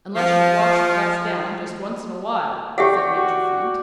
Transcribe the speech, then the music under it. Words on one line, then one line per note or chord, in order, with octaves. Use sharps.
"Unless you washed the dust down just once in a while," said Major Flint.
F3
G4 D5 E5 F#5 G5 C#6
F#4